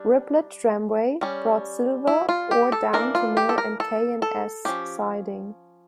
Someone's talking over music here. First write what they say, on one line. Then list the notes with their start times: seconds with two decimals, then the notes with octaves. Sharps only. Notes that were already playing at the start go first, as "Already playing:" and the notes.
Riblet tramway brought silver ore down to mill and K and S siding.
Already playing: G3 D4
1.21 G3 C#4
2.07 E4
2.29 F4
2.51 G4
2.72 A4
2.93 E3 A#3 D4 A#4
3.15 F4
3.37 G4
3.49 A4
3.58 A#4
3.80 A4
4.22 A4
4.65 F3 C#4 G4